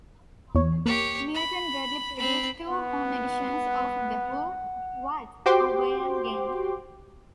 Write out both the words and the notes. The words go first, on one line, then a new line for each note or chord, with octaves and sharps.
Milton Bradley produced two home editions of "The Who, What, or Where Game".
E2 C#5
A#3 G4 C#5
B5
C4 B5
B3 F#5
F#4 G4 C5 G5 C6 D6